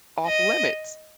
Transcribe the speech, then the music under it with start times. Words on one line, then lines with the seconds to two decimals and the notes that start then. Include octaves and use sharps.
off limits?"
0.26 D#5